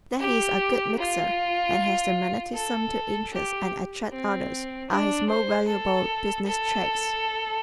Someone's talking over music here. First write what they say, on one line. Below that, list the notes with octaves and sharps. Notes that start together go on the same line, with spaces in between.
That he is a "good mixer" and has the magnetism to interest and attract others are his most valuable business traits.
G4
F4
A4
G4
C4
D4
C5
A4
A4